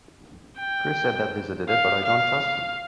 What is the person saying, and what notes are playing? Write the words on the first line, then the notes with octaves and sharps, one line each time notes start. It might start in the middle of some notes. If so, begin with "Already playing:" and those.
Chris said that Lisa did it but I don’t trust him.
G5
F5
F5